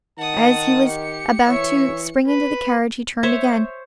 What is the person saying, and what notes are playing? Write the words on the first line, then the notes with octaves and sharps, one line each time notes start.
As he was about to spring into the carriage, he turned again.
D#3 F#5 A5 D#6
G4 C#7
E3 C#5 E5
B4
C5 C#5 E5